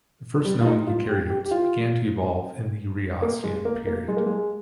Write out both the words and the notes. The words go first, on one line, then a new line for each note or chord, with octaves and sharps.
The first known eukaryotes began to evolve in the Rhyacian period.
G3
F4
D#4
F4
G4
G4
G4
F4
A#3
G#3
A#3
A#3
G#3
A#3
G#3